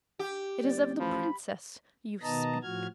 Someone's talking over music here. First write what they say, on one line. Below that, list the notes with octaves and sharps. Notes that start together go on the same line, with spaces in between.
"It is of the princess you speak."
G4
F#1 D5
A1 F3 B5
B2 D#3 B3 D#5 A5 A#5
A2 F3 F#4 F6 G#6